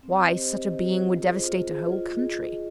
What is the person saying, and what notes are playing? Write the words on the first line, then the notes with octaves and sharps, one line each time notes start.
Why, such a being would devastate a whole country.
C4
G4 C5 D#5
C4
G4 C5 D#5
F4
G#4 C5 D#5
F4
G#4 C5 D#5
F4
G#4 D#5
F4